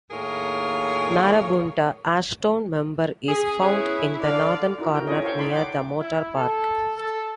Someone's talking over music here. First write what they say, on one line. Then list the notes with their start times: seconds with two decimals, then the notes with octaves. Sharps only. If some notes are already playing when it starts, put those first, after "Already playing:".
Narrabundah Ashstone Member is found in the northern corner near the motor park.
0.11 D#2 A2 F4 G#4 A#4 C#5
3.28 C#4 G#4
3.62 B3 C#4 E4 G#4
4.22 D3 D5 F5
4.78 D#4 E4 F#4 A#4
4.94 A#4 G5
5.07 C#4 E4 F4 G#4 C#5 D#5
5.22 A4 C5 C#5 F5 G5
5.38 D#4 A4 D5 B5 C6
5.51 F#5 G5 C6 D6
5.99 E4
6.35 A4
6.98 A4